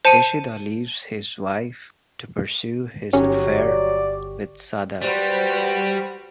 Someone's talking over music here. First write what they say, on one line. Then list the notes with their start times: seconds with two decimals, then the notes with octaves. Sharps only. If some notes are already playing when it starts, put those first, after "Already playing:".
Ishida leaves his wife to pursue his affair with Sada.
0.05 C5 A5 C#7 D#7
3.13 G1 F#3 C#4 G4 C#6
3.56 D5
5.02 G3 F#4 B4 C5